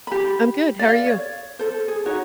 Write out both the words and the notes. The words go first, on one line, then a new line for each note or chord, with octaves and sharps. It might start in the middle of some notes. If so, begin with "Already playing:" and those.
I'm good, how are you?
G4 B5
D5 F5
C#5
A4 C5
G#4
D#4 F#4 C#5